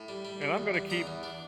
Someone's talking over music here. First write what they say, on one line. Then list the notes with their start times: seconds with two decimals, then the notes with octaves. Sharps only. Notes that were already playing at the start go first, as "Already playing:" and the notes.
And I'm gonna keep
Already playing: A2
0.08 G3
0.25 G3
0.42 G3
0.58 E2
0.74 G3
0.90 E2 G5 A#5
1.07 E2
1.23 D4